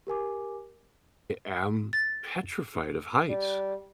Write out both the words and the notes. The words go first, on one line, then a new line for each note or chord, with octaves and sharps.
I am petrified of heights.
G4 A#4 G#5 D6
A6
G3